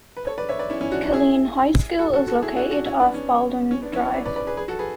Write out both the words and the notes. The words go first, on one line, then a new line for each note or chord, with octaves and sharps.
Kaleen High School is located off Baldwin drive.
B4
A4 C#5
B4 D5
C#5 E5
B4 D5
C#4 E4
C#4 E4
D4 F#4
D4 F#4
E4 G#4
F#4 A4
F#4 A4
F#4 A4
E4 G#4
D4 F#4
D4 F#4
C#4 E4
B3 D4
C#4
C#4
B3 D4
C#4 E4
B4 D5
B4 D5
B4 D5
G#4 B4
G#4 B4
F#4 A4
G#4 B4